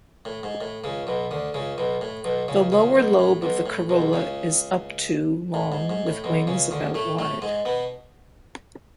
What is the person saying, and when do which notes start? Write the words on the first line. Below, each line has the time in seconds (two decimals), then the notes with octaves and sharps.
The lower lobe of the corolla is up to long with wings about wide.
0.25 A2
0.43 G#2
0.61 A2
0.84 C#2 C#3
1.07 B1 B2
1.31 D2 D3
1.54 C#2 C#3
1.78 B1 B2
2.01 A2
2.25 B1 B2
2.48 C#2 C#3
2.72 C#2 C#3
2.95 B1 B2
3.19 A2
3.42 B1 B2
3.66 A2
3.89 B1 B2
4.13 C#2 C#3
5.54 A2
5.72 G#2
5.90 G#2
6.07 A2
6.24 B1 B2
6.47 C#2 C#3
6.71 D2 D3
6.95 A2 A3
7.19 A2 A3
7.42 G#2 G#3
7.65 B2 B3